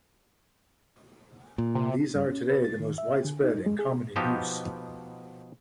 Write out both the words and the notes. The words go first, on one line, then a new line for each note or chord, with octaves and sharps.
These are today the most widespread and common in use.
A#2
C3
G2
C#4
B4
A6
D#3
E5
D3
D#4
G#3
G#4
B2 F3 B3 D#4 G4 C5